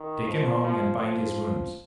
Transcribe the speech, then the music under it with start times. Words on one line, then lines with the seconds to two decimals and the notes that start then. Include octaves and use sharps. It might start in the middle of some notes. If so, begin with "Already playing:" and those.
Take him home and bind his wounds.
Already playing: D#3
0.28 F3
0.64 F3
0.99 F3